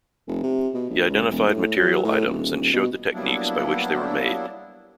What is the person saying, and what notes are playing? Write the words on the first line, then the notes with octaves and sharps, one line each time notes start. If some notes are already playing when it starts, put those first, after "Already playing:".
He identified material items and showed the techniques by which they were made.
F1
C3
B2
A#1
C#2
E1
A2
F#3
A2
D#1
B2
F#3 G3 A#3 B3 D4 E4